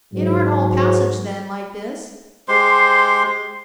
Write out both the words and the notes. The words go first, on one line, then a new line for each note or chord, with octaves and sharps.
"It aren't all passage, then, like this?"
G#2 F#3
G#3 G4 C5 C6